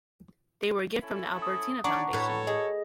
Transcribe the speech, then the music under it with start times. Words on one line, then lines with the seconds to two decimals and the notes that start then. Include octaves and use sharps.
They were a gift from the Albertina Foundation.
1.03 C#4 E4 A4
1.42 D#6
1.84 D4 C#5 D5 F#5 A#5 C#6
2.13 A2 F#4 A4 B4 C#5
2.47 G#4 D#5